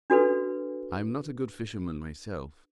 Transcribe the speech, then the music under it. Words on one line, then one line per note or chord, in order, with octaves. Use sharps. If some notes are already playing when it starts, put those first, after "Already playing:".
I am not a good fisherman myself.
D4 F#4 A4 B4